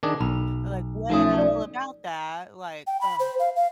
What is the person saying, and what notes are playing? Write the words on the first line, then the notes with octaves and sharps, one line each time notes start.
Like, "Well, about that" like, "Ugh."
D#3 D4 G#4
B1 B5
F3 A3 C#4 D#4 F#4 D#6
A4 D5
G5
B5
C5
F5
F5